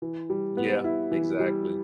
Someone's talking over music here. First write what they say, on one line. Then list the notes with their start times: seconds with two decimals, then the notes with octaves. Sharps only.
Yeah, exactly.
0.02 E3
0.30 G3
0.57 B3
0.84 E4
1.11 E3
1.39 G3